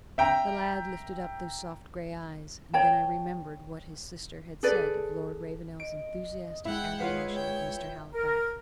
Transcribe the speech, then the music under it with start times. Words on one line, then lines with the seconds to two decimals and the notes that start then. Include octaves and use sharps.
The lad lifted up those soft grey eyes, and then I remembered what his sister had said of Lord Ravenel's enthusiastic admiration of Mr. Halifax.
0.18 E5 G5 A#5
2.73 C#5 G5 A5
4.63 G#4 A4 B4 D5
5.80 D#5 D7
6.65 G#3 E4 F#5 G5
6.99 F4 B4 C#5 F5 F#5
7.34 C#5 G5
8.14 A#4